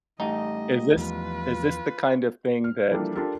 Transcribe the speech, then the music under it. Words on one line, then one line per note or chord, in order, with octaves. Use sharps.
Is this is this the kind of thing that
A1 G3 A3 D#4 D#5
E2 F3 F4 B4
F6
E3 F3 G3 A#3 D4 A4
D4 F4 G4 A4 A#4